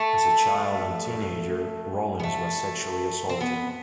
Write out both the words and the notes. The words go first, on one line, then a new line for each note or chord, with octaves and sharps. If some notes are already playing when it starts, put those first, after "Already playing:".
As a child and teenager, Rollins was sexually assaulted.
Already playing: A3
B3
A3
C4
B3